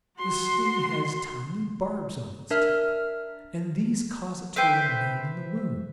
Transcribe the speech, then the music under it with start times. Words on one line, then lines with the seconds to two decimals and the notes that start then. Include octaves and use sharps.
The sting has tiny barbs on its tip, and these cause it to remain in the wound.
0.18 F#4 C6
2.51 D4 A#4 E5 F6
4.56 B4 C5 E5 G5